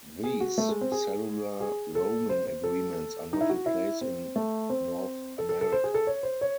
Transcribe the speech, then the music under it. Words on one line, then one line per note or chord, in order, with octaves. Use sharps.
These cellular roaming agreements are not in place in North America.
G#4
F#4
A3
G#3
C4
G#4
G#4
A4
C5
C5
A4
D#4
E4
F#4
E4
C4
A3
C4
A4
A4
A4
C5
G#4
A4
C#5
C5
C#5